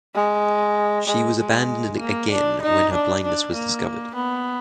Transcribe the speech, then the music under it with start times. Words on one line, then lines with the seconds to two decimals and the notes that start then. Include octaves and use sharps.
She was abandoned again when her blindness was discovered.
0.15 G#3
1.07 G#3
1.39 G#3
1.99 A#3
2.31 D4
2.62 D#4
2.93 D4
3.23 D4
3.54 A#3
4.15 B3